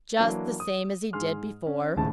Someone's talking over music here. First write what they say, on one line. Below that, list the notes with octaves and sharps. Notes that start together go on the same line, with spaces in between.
"Just the same as he did before?"
E3 F#3 A#3 D4
D#6
G#2 G#4 C6 F6
C#4
D#1 G#1 A2 C#3 A5